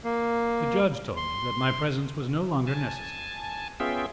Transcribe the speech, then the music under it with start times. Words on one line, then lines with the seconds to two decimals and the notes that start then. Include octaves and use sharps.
The judge told me that my presence, was no longer necessary.
0.04 A#3
1.16 C6
2.67 G#5 A5
3.80 B3 C#4 F4 G#4 E5 G5